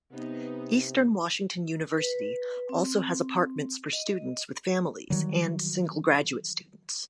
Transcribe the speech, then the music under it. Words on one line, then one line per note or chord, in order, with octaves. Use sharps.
Eastern Washington University also has apartments for students with families and single graduate students.
C3 B3 D#4
B4
C4
D#5
D#3 E3 F#3 G3